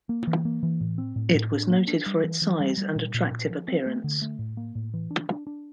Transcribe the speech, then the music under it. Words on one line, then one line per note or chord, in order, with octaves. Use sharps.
It was noted for its size and attractive appearance.
A#3
E3
A#3
E3
A2
C4
A2
A2
D4
A#3
D4
G3
E3
E3
G3
G3
A#2
A#2
A#2
F3
C4
A3
D3
A3
A2
A#3
A2
E3
D4
D4
D4